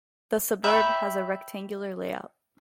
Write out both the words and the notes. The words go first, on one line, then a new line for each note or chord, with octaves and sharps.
The suburb has a rectangular layout.
C#5 E5 G5 B5